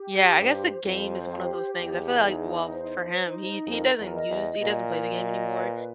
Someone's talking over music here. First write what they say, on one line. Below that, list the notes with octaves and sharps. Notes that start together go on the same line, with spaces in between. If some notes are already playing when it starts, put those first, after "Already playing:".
Yeah, I guess the game is one of those things, I feel, like, well, for him, he he doesn't use he doesn't play the game anymore.
Already playing: G4
G2 C5
F2 C5
G4
E2 G#4
D#4
C5
D#4
F2 A#4
E2
D#5
E2
A#2 A#4
D#5
B4